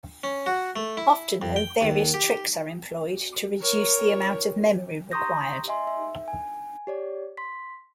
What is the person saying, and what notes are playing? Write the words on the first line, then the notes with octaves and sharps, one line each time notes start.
Often though, various tricks are employed to reduce the amount of memory required.
C#4
F#4
A3
E4
F2
G5
D#2
G4
A#4 C#5
A#5 C6 C#6 D#6 G6 A#6
D#5 E5 G#5 C6
E5
G#5
G4 C#5 D5
C6 B6